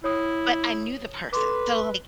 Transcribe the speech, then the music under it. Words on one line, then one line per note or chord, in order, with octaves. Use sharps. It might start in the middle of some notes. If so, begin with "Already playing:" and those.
but I knew the person. So, like,
E4 C#5 D#6
A4 B4 C6 D6